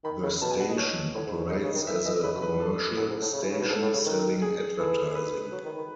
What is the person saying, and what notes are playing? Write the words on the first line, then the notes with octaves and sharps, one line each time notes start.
The station operates as a commercial station, selling advertising.
D#3 B5
C#3
B2 A5
G#5
F#5
D#5
C#5
A2
G#2
G#2
C#3 D#5
C#3
D#3
E3 E5
E3 D#5
C#3 B4
B2
B4
E2
A4
F#2
G#2
A2
C#3
E3
C#3
B2
G#2 A4
A2
C#3
D#3
G#4
E3 A4
B4
F#3
D#3
D#3